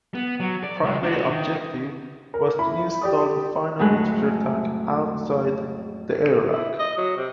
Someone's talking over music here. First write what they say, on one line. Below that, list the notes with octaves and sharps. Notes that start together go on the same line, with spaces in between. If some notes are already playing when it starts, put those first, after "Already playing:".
Primary objective was to install the final nitrogen tank outside the airlock.
B3
F#3
D5
C#2 G#3
D4 F#4
D#3
A#4
E4 B5
G4 D5 D#6
F2 A2 F#3 G#3 F#6
E4
D#5
F#3
C3